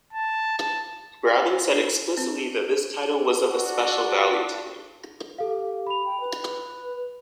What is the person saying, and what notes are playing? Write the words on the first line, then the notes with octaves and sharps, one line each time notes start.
Braben said explicitly that this title was of a special value to him.
A5
A5
D4
C4
D4 F#4
G4 A4 F5
B5 F7
G5
B4